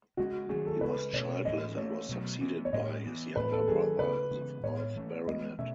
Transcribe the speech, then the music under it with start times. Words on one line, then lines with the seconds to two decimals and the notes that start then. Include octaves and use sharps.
He was childless and was succeeded by his younger brother, the fourth Baronet.
0.17 C#3 G#3 C#4 F#4
0.49 D#3 F#3 A3 C#4 G#4
0.66 A4
0.81 C#3 G#3 C#4 B4
1.13 B2 A3 C#4 C#5
1.45 A2 E3 G#3 C#4 D#5
1.77 E3 A3 C#4 C#5
2.09 B2 F#3 A3
2.40 E3 B3
2.65 C#5
2.73 A2 G#3 C#4 D#5
3.04 E3 B3
3.36 A2 E3 A3 B4
3.52 A4
3.68 D#3 F#3 C#4 G#4
3.99 C#3 F#3 A3 B4
4.31 C#3 E3 G#3 B3
4.63 A2 G#3 B3 C#5
4.95 E3 A3 C#4
5.26 E3 G#3 B3 D#5
5.58 B2 A3 C#4 E5